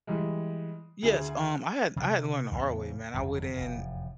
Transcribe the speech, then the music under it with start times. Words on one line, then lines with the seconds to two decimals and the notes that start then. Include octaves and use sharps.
Yes, um, I had I had to learn the hard way, man. I went in
0.07 E3 G3 G#3
1.03 D2 G#4
1.96 C3
2.51 E2 A2 C#3 B3
3.14 G1 F2 F3 F#3
3.56 F1 E2 A2